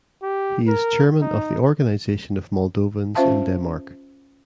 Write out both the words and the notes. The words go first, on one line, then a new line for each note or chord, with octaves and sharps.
He is chairman of the Organization of Moldovans in Denmark.
G4
A#4
D#4
C#4 F4 C5 E5 F5 A5